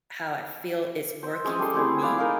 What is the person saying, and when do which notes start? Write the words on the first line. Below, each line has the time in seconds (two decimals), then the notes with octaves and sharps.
how I feel it's working for me
1.23 C5 E5
1.45 G#3 C#4 D#6
1.59 G3 A4 C6
1.74 A3 C4 E4 G#4
2.01 E4 B4 D5 F5
2.18 D#4 A#4 D#5 F5